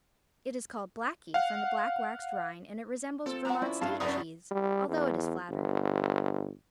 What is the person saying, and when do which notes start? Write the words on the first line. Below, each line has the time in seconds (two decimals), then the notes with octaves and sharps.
It is called Blackie from the black-waxed rind and it resembles Vermont State cheese, although it is flatter.
1.34 F5 F#5
3.26 F3 C4 A4
3.45 A#3 F#5 A#5
3.62 C#4 E4 D5
3.81 G2 F5 A5
4.00 F#2 C3 B3 D4 A#4 D#6
4.51 G3
4.88 E2
5.50 G1